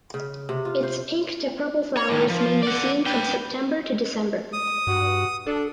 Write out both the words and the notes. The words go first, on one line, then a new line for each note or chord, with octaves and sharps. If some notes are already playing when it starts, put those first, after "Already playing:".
Its pink to purple flowers may be seen from September to December.
C#3
C3
F4
C5
C#5
A2 D#3
F3
D5 F#5
B4 G5
D#6
G2 F#4
D4 A4